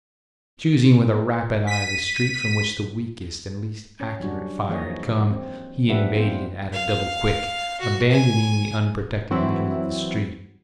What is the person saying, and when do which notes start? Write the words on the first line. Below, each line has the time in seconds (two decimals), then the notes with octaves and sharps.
Choosing with a rapid eye the street from which the weakest and least accurate fire had come, he invaded it at a double-quick, abandoning the unprotected middle of the street.
1.67 B6 D#7
4.00 C#4 C#5
4.20 F#3 G3 D4 F#4
4.69 E3 F3 A#3 G#4 C#5 D#5
5.31 C4
5.88 F3 D4 G4 B4 E5 F#5
6.15 B3 C4 F4 C5
6.73 F5
7.80 F#4
8.11 G#5
9.31 E3 F#3 C4 E4